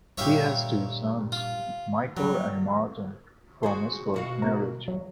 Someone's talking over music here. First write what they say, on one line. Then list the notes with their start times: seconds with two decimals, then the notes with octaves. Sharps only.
He has two sons, Michael and Martin, from his first marriage.
0.18 G2 A#2 G4 C#5 E5 F5
1.32 F4
2.17 F#3 G3
3.63 F#4 G#4 C5
4.14 B2 F#4 F5
4.42 A#3 A#4
4.88 F#3